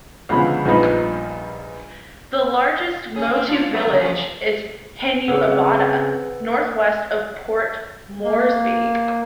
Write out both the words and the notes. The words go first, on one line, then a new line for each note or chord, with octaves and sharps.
The largest Motu village is Hanuabada, northwest of Port Moresby.
C#2 B2 D3 F3 G#3 B5
A#1 G2 F3 B3 D#4 B5
C#4 G#4
C4
D4 F4
F#3 A3 B3
C#3 F#3 A#3
F3 C#4
C#3 C4 A4 B4 F#5 E6
A#3